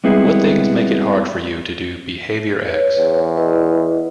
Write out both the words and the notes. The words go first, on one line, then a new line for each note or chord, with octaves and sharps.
What things make it hard for you to do behavior X?
G3 G#3 B3 C4 E4 G#4
B4 C#5
E2
E4 B4 D#5